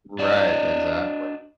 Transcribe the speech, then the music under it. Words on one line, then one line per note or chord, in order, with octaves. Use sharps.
Right, exactly.
D4 F#4 D5 D#5